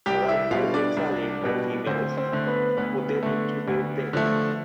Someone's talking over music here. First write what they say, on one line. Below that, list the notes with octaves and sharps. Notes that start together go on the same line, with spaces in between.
Around five eggs are laid by females, who then incubate the egg.
C2 G4 G5
E4 E5
B2 G3 F4 F5
D4 D5
C2
B2 G3
D2 C4 C5
C4 C5
D3 A3
B3 B4
D2 B3 B4
D3 A3
D2
D3 F3 A3